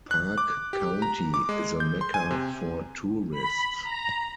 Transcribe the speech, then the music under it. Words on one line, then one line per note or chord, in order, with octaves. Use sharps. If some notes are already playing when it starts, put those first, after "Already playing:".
Park County is a mecca for tourists.
F#6
D6
G4
A#5
D6
G#3
G6
C6
G#5
C3
B5
A#5